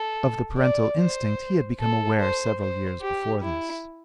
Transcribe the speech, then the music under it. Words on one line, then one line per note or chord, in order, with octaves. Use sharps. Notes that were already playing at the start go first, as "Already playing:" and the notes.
Of the parental instinct he had become aware several years before this.
Already playing: A4
D5
C5
A4
C5
C5
G4
E4